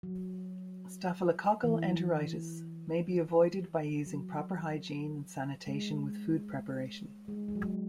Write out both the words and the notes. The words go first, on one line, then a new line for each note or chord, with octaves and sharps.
Staphylococcal enteritis may be avoided by using proper hygiene and sanitation with food preparation.
F#3
E3
F#3
G#3
G#3
G#3
F#3